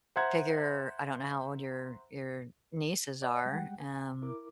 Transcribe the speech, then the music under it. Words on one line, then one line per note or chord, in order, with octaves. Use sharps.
figure I don't know how old your your nieces are, um,
C5 E5 F#5 A#5 F#6 G#6
D5 D#5 G5
G3 G#3 F#5 G5
G#5
E4 A#4 D6